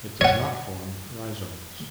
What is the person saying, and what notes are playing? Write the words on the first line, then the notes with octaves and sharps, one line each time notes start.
It does not form rhizomes.
C#5 F#5